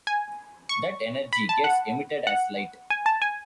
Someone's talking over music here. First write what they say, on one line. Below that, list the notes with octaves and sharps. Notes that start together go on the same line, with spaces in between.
That energy gets emitted as light.
G#5
C#6
B5
A5
F#5
F#5
G#5
A5
G#5